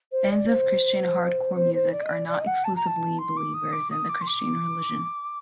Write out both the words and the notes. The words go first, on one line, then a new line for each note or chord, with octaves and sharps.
Fans of Christian hardcore music are not exclusively believers in the Christian religion.
C5
D5
C5
C5
C5
D5
D#5
D5
D5
D#5
F#5
A5
A#5
A5
C6
D6
D#6
D6
D#6
D6
C6
D6